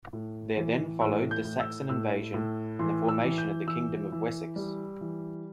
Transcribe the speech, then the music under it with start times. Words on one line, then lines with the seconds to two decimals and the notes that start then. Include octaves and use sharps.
There then followed the Saxon invasion and the formation of the Kingdom of Wessex.
0.13 A2
0.57 E3
1.01 A2 E6
1.31 G6
1.45 A2
1.60 E6
1.89 A2 E6
2.34 A2
2.79 E3 C6
3.09 E6
3.23 E3
3.38 G6
3.67 E3 E6
4.12 E3
4.56 G3
5.01 E3